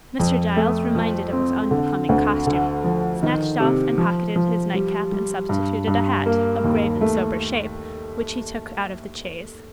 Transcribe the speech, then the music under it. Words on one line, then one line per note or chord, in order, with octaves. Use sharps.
Mr. Giles, reminded of his unbecoming costume, snatched off and pocketed his nightcap; and substituted a hat, of grave and sober shape, which he took out of the chaise.
F2
A3
F3
C4
D3
D2
D3
F3
D#3
C3
F3
F3
G3
G3
G2
G2
A#3
D#2
A3